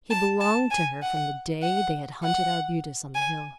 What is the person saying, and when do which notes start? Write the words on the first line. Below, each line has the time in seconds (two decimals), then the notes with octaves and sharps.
He belonged to her from the day they had hunted arbutus on the hill.
0.10 A5
0.40 A5
0.71 G#5
1.02 F#5
1.62 F#5
2.24 F#5
3.15 G#5